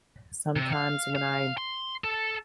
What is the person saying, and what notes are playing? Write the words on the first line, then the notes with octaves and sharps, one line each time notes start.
sometimes when I
C3
F5
F5
C6
A4